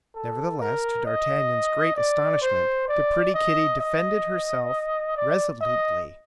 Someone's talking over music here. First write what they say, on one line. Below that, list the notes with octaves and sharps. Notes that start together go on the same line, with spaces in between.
Nevertheless, to d'Artagnan's great astonishment, the pretty Kitty defended herself resolutely.
A4
A#4
D#5
D5
C5
D5
D#5
D#5
D5
D#5